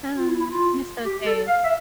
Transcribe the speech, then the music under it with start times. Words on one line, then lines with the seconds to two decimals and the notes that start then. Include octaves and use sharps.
Um, miss those days.
0.17 F4
0.27 E4
0.38 E4
0.50 F4
1.04 G4
1.25 A4
1.47 F5
1.64 E5